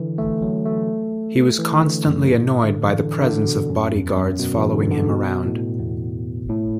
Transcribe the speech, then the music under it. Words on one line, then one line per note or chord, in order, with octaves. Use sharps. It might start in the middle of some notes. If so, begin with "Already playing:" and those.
He was constantly annoyed by the presence of bodyguards following him around.
Already playing: D3 E3
A3
F#3
A3
E3
D3
F#2
F#2
A2
D3
E3
D3
D3
B2
F#2
E2
F#2
B2
E3
D3
D3
B2
A2
E2
A2